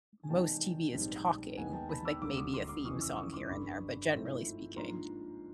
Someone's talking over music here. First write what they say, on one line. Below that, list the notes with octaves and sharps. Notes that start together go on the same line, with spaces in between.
most TV is talking with, like, maybe a theme song here and there, but generally speaking,
G#5
E2 C3 D#3 G#3 G5 A5
A#1 G#2 D#3 G3 C4
D#2 D#3 G#3 B3 F#5 G#5
G5 A5
A5 B5
D6 E6
E1 D2 D3 G3 A#3 D6 E6
C#6 D#6
C6 D6
C6 D6
F2 C#3 E3 C#6 D#6
D6 E6
C#6 D#6
C6 D6
G1 G2 D3 B5 C#6
G#2 F3 A3 C4 E4
G#2 F3 A#3 D4 A#5 C6